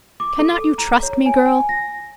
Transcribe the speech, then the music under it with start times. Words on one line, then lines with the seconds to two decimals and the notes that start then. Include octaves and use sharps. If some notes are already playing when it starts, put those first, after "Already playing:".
Cannot you trust me, girl?
0.20 D6
0.39 A4
0.78 A#5
1.03 C#5
1.26 G#5
1.46 G#5
1.69 A#6